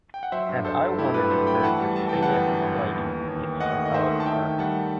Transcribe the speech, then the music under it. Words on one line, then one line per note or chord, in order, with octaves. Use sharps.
And I wanted her to sing it like it's about birth.
G5
F#5
F#3 C5 E5
G2
G2 A4 C5
G2
A3 E4 G4
G2 G4 B4
F#3 A4 C5
A3 G5 B5
B5
E3 F#5 A5
G3
F#2 A5
E3 G5
F#5 A5
G1
F#2
G1
E3
D#2
D#2
D#2
D#2
A3 D#5 F#5
D#3
D#5
D#3 C5 E5
A3
A5
D#3 E5 G5
D#3
G3 F#5 A5